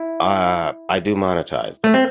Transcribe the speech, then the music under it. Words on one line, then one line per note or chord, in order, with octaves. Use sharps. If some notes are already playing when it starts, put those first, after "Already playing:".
uh, I do monetize them.
Already playing: E4
A3
C4